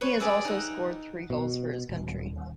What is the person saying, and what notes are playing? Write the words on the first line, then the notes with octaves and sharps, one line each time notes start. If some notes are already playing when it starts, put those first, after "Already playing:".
He has also scored three goals for his country.
B4 C#5
G4 G#4 D5 E5
D#4 F#5
B2
D#1